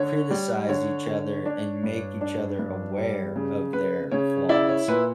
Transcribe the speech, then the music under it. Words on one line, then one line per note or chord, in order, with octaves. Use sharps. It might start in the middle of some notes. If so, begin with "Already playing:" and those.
criticize each other and make each other aware of their flaws.
Already playing: D3 C#5
G3
D3 C#5
D3
D4
G2
D4
G2
G3
C#3
C#3 B4
C#3 C#5
E4 D5
C#5
A#2 B4